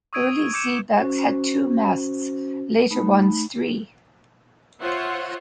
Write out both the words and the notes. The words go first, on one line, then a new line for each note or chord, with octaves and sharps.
Early xebecs had two masts; later ones three.
C#6 D#6 E6 G#6 D7 D#7
D6 G6 C#7 D#7 E7
C#4 F#4 C5
A3 D#4 B5
F4 C5 C#5 E5 F#5